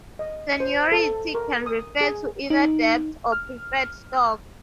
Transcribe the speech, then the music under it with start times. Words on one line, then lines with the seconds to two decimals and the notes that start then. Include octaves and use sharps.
Seniority can refer to either debt or preferred stock.
0.19 D#5
0.60 C5
0.92 A4
1.35 A#4
1.66 D#6
2.01 G#4
2.50 D#4
3.32 F6